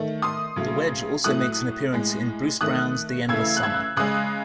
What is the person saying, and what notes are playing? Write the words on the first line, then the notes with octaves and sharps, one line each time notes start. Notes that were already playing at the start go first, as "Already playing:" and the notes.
The Wedge also makes an appearance in Bruce Brown's "The Endless Summer".
Already playing: D#3 A3
C6 D#6
C#3 F#3 A3
A2 F#3 A3 D#6 F#6
A2 G#3
D#3 A3 D#6 F#6
C#3 E3 A3 E6 G#6
F#6
E6 G#6
C#3 G#3 D#6 F#6